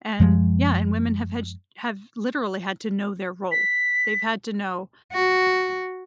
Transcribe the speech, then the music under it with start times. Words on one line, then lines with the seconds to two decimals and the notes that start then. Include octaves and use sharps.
and, yeah, and women have had ch have, literally, had to know their role. They've had to know,
0.20 F#2 F3 G#3
3.52 B6
5.13 F#4